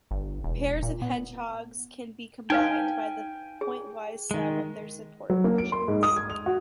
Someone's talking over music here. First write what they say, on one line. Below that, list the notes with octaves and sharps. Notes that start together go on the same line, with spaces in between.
Pairs of hedgehogs can be combined by the pointwise sum of their support functions.
G1
E1
A#2
B3
D#4 B4 F5 G5 G#5
G#4
D#3 G#3
F#3
A#3
D7
C6
G#2
D#6
G#6
F7
F#4